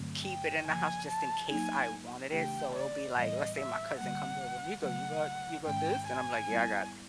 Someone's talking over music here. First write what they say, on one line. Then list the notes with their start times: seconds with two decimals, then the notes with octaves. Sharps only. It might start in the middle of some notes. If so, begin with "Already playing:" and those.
keep it in the house just in case I wanted it. So it'll be like, let's say my cousin comes over, "Me go, you got you got this?" And I'm like, "Yeah. I got it."
Already playing: G2 D3 F#3 A3 C4
0.25 G5
0.66 C#3 F3 A#3 G#5
1.08 A5
1.49 F#3 A#3 D#4 G#5
2.32 C#3 E3 A3 D4 G4 G5
2.74 D5
3.15 A2 E3 G3 B3 D#5
3.57 E5
3.99 D3 G3 A#3 F#5
4.82 C#3 F#3 A3 F#5
5.65 G#2 D#3 G#3 C#4 G5
6.07 G#5
6.49 G3 B3 E4